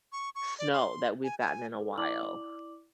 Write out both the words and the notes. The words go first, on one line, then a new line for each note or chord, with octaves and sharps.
snow that we've gotten in a while.
C#6
C#6
D5
C6
G#5
G#5
A4
E4 D5 D6 F#7